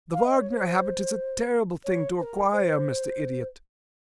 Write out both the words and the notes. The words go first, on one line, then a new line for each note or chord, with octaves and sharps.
"The Wagner habit is a terrible thing to acquire, Mr. Idiot."
F5
D#5
C#5
C#5
C5
C#5
C5
A#4
C5